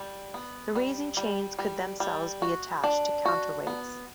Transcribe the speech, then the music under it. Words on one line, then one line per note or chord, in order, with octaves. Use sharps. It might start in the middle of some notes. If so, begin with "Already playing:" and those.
The raising chains could themselves be attached to counterweights.
Already playing: G3
B3
G3
G3
G3
G3
F#4
D4
F#4
B3